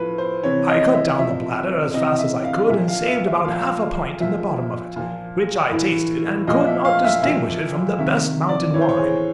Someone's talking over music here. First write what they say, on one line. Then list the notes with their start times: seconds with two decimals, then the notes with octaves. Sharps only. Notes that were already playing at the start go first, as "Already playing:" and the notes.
I cut down the bladder as fast as I could, and saved about half a pint in the bottom of it, which I tasted, and could not distinguish it from the best mountain wine.
Already playing: A2 F3 B4
0.18 C5
0.43 C3 E3 C#5
0.68 D#5
0.94 E5
1.19 C3 F3 E5
1.94 C3 E3 D#5
2.19 E5
2.44 F5
2.69 A#2 F3 E5
2.88 F5
3.08 E5
3.27 E5
3.45 A#2 F3 F5
4.20 A#2 F3 E5
4.96 A#2 F3
5.71 A2 E3
6.47 A#2 F3 D#5
6.66 E5
6.85 F5
7.04 E5
7.22 A#2 F3 E5
7.99 C3 D#3 E5
8.49 D5
8.73 A2 E3 C#5
8.81 C5
8.89 C#5
8.98 G#4